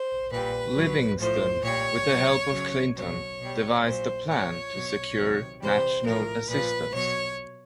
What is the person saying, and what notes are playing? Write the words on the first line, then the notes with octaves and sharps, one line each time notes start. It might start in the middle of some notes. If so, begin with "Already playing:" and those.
Livingston, with the help of Clinton, devised a plan to secure national assistance.
Already playing: C5
A#2 G3 B4
B2 F#3
A2 F3 C5
A#2 G3 C#5
B2 F#3
C#3 F#3
B2 F#3 C#5
B2 G3
A#2 F#3 C5
A#2 F3 C#5
B2 F#3
C3 D#3 F#3
C3 E3 G3 C5
A2 F3 A#4
A#2 F3 B4
B2 F#3 C#5